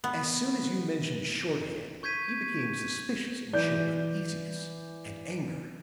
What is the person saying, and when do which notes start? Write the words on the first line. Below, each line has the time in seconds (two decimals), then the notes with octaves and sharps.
As soon as you mentioned shorthand he became suspicious and showed uneasiness and anger.
0.04 B3
2.03 C#6 G6 G#6 B6 D#7
3.53 E3 D5 G6